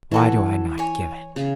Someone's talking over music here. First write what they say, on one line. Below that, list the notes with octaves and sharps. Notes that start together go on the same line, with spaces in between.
Why do I not give it?
E3 F#4 A4 C#5
C#5 G#5 C#6
C#3